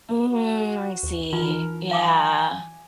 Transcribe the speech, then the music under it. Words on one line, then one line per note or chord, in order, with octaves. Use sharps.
Mhm, I see, yeah.
F#4
D#2
E3 D#4 F4 A#4
F5 G#5 D6 D#6